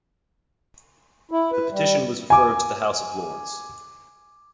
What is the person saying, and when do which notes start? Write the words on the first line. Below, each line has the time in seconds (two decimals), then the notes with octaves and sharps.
The petition was referred to the House of Lords.
1.31 E4
1.52 B4
1.72 G3
2.30 G#5 D6